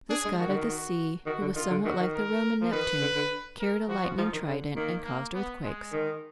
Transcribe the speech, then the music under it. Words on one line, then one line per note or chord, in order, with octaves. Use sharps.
This god of the sea, who is somewhat like the Roman Neptune, carried a lightning trident and caused earthquakes.
D4 G#4
G#3
D#3 F#4
D3
D#3
F#4
D#3 F#4
D3
D#3 F4
D3
D#3 F#4
D#3
A#4
F3
D#3 B4
D3
D3
A#4
F3 F#4
F3
F3 D#4
D#3
D3
D#3 A#3
A#3
B3
G#3
D#3